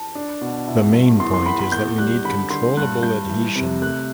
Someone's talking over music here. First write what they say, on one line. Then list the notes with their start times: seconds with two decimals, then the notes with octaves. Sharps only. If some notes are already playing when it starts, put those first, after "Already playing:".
The main point is that we need controllable adhesion.
Already playing: A5
0.15 D4
0.41 B2
0.68 E4
0.93 G2
1.20 E2 C6
1.34 C6
1.46 E2 B5
1.59 B5
1.72 E2 G6
1.98 G3 F#6
2.25 D3 B5
2.50 D3 C6
2.77 G2 F#6
3.03 G2 G6
3.29 E3
3.56 C3
3.82 A3 F#6